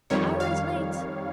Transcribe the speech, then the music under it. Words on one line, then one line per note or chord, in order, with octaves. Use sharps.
"The hour is late!"
F2 D#3 G3 C#5
F5